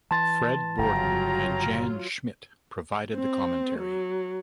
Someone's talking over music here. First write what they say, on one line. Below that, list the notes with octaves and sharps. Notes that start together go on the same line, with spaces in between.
Fred Borden and Jan Schmidt provided the commentary.
E3 A5 C6 A6
G1 C#3 F#3 F4 G5 A#5
C4
F#3